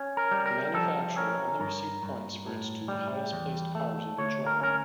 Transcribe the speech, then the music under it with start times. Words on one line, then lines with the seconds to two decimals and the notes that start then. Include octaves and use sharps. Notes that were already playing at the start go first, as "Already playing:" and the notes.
A manufacturer only received points for its two highest placed cars in each round.
Already playing: C#4
0.17 A#4
0.31 G3
0.46 A#4
0.74 F3 A4
1.17 C#4 A#4
1.60 G2 A#4
2.03 G2
2.47 A2
2.88 G3
3.32 E2
3.75 A3
4.18 D2 C#5
4.46 A#4
4.61 C#4 A#4